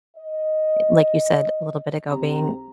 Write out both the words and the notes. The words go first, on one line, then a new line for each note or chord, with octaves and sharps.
like you said little bit ago, being
D#5
B1 C4 G4 A#5